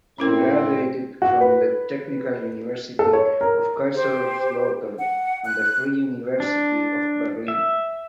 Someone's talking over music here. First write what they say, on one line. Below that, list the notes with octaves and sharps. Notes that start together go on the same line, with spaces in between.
She graduated from the Technical University of Kaiserslautern and the Free University of Berlin.
A2 C4 C#4 E4 A#4
F#4
B4
A4
C#5
A#4
G4 C5
F#5
F#6
D4
E5